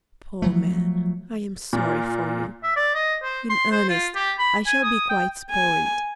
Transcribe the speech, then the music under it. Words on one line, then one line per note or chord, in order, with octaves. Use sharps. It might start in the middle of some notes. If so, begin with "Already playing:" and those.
Poor man, I am sorry for you; in earnest, I shall be quite spoiled.
F3 F#3 A3
A#2
E5
D5
D#5
C5
C6
C5
F4
G4
B5
G#5
D#6
G5
G#5